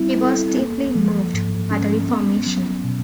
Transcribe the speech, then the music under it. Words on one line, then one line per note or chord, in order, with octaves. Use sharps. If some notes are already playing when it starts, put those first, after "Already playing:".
He was deeply moved by the Reformation.
Already playing: G3 C4 E4
A4
A#3
F3
G#2
C#4
B3
F#3
B2